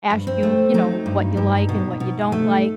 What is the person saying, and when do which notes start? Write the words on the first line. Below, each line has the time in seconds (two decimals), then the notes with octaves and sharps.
ask you, you know, what ya like and what ya don't like.
0.11 G2
0.27 C4
0.43 A3
0.74 F#3 D#4
1.06 G2
1.37 G2
1.69 B2
2.00 B2
2.32 A3